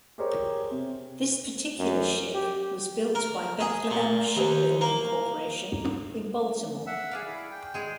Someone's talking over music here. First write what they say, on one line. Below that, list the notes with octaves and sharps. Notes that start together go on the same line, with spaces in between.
This particular ship was built by Bethlehem Shipbuilding Corporation in Baltimore.
G4 G#4 A#4 C5 C#5
C3
F#2
G4
A#4
G#4
A#2
D#2
A#3
E5 F#5 E6
G#4 D5 F5
E4 B5
G5
G#3 G#4